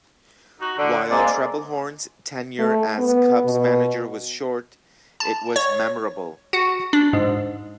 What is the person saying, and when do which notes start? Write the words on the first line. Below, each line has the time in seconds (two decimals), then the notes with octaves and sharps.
While Trebelhorn's tenure as Cubs manager was short, it was memorable.
0.60 D#4 F#4
0.77 D3
1.10 G#3 A#3 C4 D5
2.59 A3
2.98 B3
3.45 B2
5.20 A5
5.56 C#5
6.53 F#4
6.93 D4
7.13 G#2